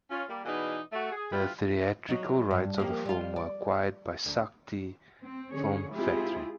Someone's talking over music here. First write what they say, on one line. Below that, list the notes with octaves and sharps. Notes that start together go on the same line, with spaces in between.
The theatrical rights of the film were acquired by Sakthi Film Factory.
C#4 F4
G3 A#3
B2 E3 B3 D#4 G#4 D5
A3 F#4 E5
G#4
D2 G3 E4 F4 B4
F#3 D#4
G2
F3 A#3 G4
G3 F4
D5
D2
C4
D3 C#4 G#4 C#5
G#3 C4 E4 F4 G4 G#4